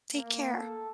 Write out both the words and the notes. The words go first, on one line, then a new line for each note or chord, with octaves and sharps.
Take care.
A#3
A4